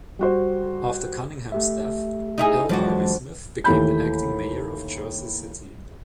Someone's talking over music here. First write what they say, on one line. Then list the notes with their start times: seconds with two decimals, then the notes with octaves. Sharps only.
After Cunningham's death, L. Harvey Smith became the acting mayor of Jersey City.
0.19 G3 F#4 C5
1.52 A3 G4 E5
2.38 D#4 E4 G#4
2.69 F2 E3 F#3 G#3 D4 F#4
3.64 D#2 E3 A3 G4 B5 G6